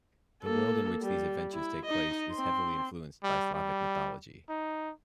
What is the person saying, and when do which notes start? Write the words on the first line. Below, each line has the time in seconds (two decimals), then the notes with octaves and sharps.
The world in which these adventures take place is heavily influenced by Slavic mythology.
0.43 A#3 A4
1.02 G3
1.54 E4
1.85 D#4 D#5
2.33 C4 C6
3.23 G3
3.54 G3
4.49 D#4